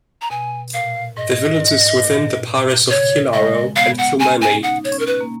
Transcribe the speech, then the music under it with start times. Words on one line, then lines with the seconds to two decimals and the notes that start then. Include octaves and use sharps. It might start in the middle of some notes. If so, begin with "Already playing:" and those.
The village is within the parish of Killarow and Kilmeny.
0.22 A#5
0.30 B2 G#5
0.74 A#2 F5
1.17 G#2 D#5
1.60 G#2
2.03 A#2
2.47 B2
2.90 C#3 C#5
3.33 G#3 D#5
3.76 B3 F5
3.98 F#5
4.20 C#4 G#5
4.41 G#5
4.63 D#4 F#5
4.84 C#5
4.92 C#4
4.99 A#4
5.07 B4
5.20 A#3